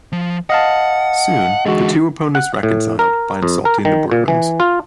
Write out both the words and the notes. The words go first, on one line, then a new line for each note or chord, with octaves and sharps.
Soon the two opponents reconciled by insulting the Bourbons.
F3
D#5 F5 F#5 A5
D3 E3 G#3 F#4
F#5
A2
A#4
F2
A#4
D#3
A#2
E3
F4